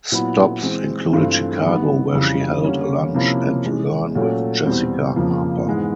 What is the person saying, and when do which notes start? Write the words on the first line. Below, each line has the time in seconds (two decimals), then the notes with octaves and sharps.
Stops included Chicago, where she held a "Lunch and Learn with Jessica Harper".
0.12 A#2 F#3 B3 E4
0.62 E3 G#3 C4
1.12 G2 E3 A3 C4 F4
1.64 D#3 G3 B3
2.13 F2 C#3 E3 G3
2.64 D3 G3 A#3 C#4
3.14 C3 F3 A#3 C#4 E4
3.64 E3 G#3 C#4
4.15 A#2 F#3 A3 C#4
4.65 E2 B2 G3 C4
5.16 F2 C#3 F3 A#3
5.66 G#2 E3 G#3 B3